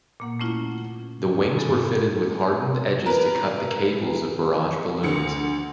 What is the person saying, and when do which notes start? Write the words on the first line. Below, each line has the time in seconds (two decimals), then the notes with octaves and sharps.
The wings were fitted with hardened edges to cut the cables of barrage balloons.
0.20 A#2 A#3 F#5
0.40 A3 A#3 C#4 E4 F4
1.58 G2 A4 G#5 B5
3.06 A#4 B4
5.03 D2 C#7